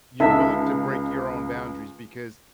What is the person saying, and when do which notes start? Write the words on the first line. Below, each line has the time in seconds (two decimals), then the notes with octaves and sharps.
you're willing to break your own boundaries because
0.20 C#2 D#4 A4 E5